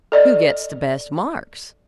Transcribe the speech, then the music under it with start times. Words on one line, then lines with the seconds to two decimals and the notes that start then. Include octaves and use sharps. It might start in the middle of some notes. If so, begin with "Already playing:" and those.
"Who gets the best marks?"
0.12 A4 D5 D#5